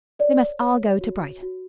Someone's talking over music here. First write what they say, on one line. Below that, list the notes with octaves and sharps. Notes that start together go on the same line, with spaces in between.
They must all go to Brighton.
C#5 D5
C#5
F#4
F#4